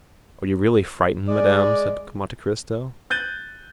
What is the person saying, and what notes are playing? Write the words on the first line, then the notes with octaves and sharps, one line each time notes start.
"Are you really frightened, madame?" said Monte Cristo.
G#3 D5
F#6 G6 A6 D#7